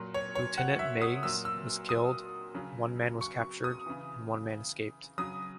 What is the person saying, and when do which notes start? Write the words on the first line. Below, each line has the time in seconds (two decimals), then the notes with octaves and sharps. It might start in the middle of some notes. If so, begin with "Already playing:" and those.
Lieutenant Meigs was killed, one man was captured, and one man escaped.
Already playing: A#2 F#3
0.14 C#5
0.35 C#5
0.58 F#5
0.79 E5
1.02 D#6
1.23 A#2 F#3 E6
1.45 E6
1.89 D#6
2.55 C#3 F#3
3.21 C#6
3.64 D#6
3.86 C#3 E3
5.18 C#3 F#3 D#6